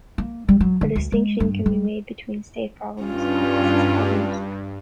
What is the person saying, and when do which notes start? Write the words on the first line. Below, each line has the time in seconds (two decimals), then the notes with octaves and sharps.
A distinction can be made between state problems and process problems.
0.18 A#3
0.48 G3
0.60 F#3
0.81 D3
0.95 D2
1.12 G#3
1.40 G2
1.66 G3
3.02 G2 C#4 F4